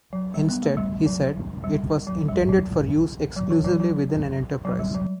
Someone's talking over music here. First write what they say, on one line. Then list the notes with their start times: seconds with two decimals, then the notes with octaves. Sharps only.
Instead, he said, it was intended for use exclusively within an enterprise.
0.13 F#3
0.34 G3
0.49 B3
0.63 A3
0.77 G3
1.06 F#3
1.64 G3
2.07 F#3
2.28 G3
2.49 F#3
3.36 F#3
3.51 E3
3.65 F#3
3.79 F#3
4.65 F#3
4.79 G3
4.95 F#3